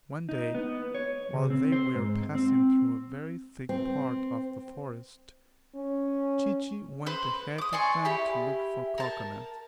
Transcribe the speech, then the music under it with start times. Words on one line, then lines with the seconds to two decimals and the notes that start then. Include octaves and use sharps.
One day, while they were passing through a very thick part of the forest, Chee-Chee went ahead of them to look for cocoanuts.
0.29 D#4
0.54 B3
0.94 C#5
1.34 C#3
1.50 C4
1.72 C5
1.95 G#2
2.35 C4
3.69 C4
5.76 C#4
7.06 B4 C5
7.58 D6 D#6
7.73 D5 G#5 C6 C#6
8.05 E4 G4 B5
8.98 A#4 A5